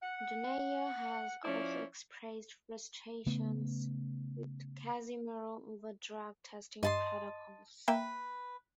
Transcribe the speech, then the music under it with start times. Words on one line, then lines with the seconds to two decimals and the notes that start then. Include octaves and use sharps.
Donaire has also expressed frustrations with Casimero over drug testing protocols.
0.03 F#5
1.44 F3 C#4 E4 C5 D5
3.26 C#3 A3 B3
6.83 G2 D#5 A5 C6
7.88 A#3 B4 E5 G5